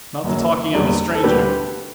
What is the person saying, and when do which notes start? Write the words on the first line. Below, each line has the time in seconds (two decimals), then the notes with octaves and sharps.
Not the talking-over stranger.
0.24 F#1 F#2 F#3
0.74 F#1 E2 D3 G3
1.15 A4
1.23 D2 D3 G3 G4 B4